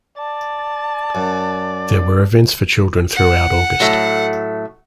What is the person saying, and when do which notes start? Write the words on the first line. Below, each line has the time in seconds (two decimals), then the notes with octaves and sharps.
There were events for children throughout August.
0.17 D5 A5
1.15 F#2
3.15 F#5
3.80 A2 F#3 A3